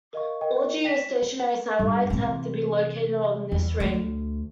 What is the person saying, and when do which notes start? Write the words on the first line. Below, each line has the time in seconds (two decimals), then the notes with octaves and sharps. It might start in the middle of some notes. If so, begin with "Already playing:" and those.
All geostationary satellites have to be located on this ring.
0.13 A#4 D#5 F5 C#6
0.41 A#4 D#5 G5
0.85 G5 A#6 B6 E7
1.79 G2
2.10 C3 E3
3.52 E2
3.80 D2